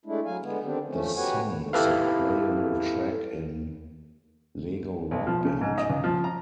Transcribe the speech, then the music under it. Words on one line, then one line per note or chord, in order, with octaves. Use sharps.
The song is a playable track in "Lego Rock Band".
G#3 A3 D4 E4
F#3 F5 G#5
D3 G#3 B3
D3 D#3 C4 D4 G4
F3 A3 C#4
F#4 G4 B4 C#5 F#5 G#5
E4 G4 A4 B4 F5
B1
F3
C#3
G#2
D#5
C#2
F3
A#5